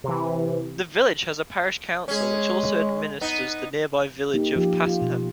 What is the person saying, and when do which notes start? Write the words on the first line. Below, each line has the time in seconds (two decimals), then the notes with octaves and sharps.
The village has a parish council, which also administers the nearby village of Passenham.
0.04 C3 E3
2.08 G#3 C#4 G#4
3.21 B3 D#4
4.34 A#3 D#4 G4
4.56 F3 F4 G4
4.86 F4
5.02 B2